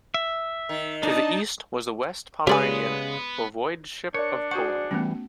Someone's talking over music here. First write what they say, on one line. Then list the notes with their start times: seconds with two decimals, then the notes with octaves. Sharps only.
To the east was the West Pomeranian Voivodship of Poland.
0.14 E5
0.69 D#3
1.03 D4 D#4 A5
2.47 C#3 G#3 B3 G4 B4 D5 G#5 D#6
4.14 D4 A#4 C#5 D5 C#7
4.51 F#4 G#4 C5 F#5 C#6
4.91 E3 G3 A3 B3 C#4